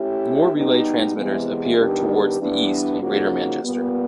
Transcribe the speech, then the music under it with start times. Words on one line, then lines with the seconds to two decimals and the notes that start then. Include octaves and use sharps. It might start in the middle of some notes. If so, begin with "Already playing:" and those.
More Relay Transmitters appear towards the east in Greater Manchester.
Already playing: A3 C#4 E4 G4
0.53 B2 G3 B3 D#4 G4
1.15 E2 C3 E3 G#3 B3
1.77 D#3 G3 B3 D4 G4
2.39 E3 G3 B3 D4
3.01 C#3 F3 A#3 D#4 F#4
3.63 A#2 G3 B3